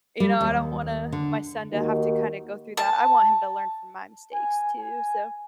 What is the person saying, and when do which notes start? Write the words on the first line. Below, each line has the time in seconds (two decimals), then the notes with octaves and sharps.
you know, I don't wanna my son to have to kind of go through that. I want him to learn from my mistakes too, so
0.20 G3
0.41 D#2
1.12 D3
1.72 D#2 D#4 F#4 A#4
2.77 A5
4.34 G#5
4.80 G#5